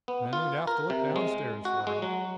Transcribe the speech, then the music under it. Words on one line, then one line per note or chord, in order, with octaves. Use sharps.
Then he'd have to look downstairs for him.
B3
F4
A#4
C3
G#3
F#4
G#3
F#3